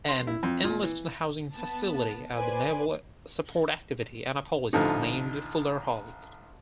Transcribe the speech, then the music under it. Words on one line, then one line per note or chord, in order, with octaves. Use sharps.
An enlisted housing facility at the Naval Support Activity Annapolis is named Fuller Hall.
C6
E4
F2
A#2
E3
B3 A5
B4 C5 D5 G#5
A1 D3 F3 D#4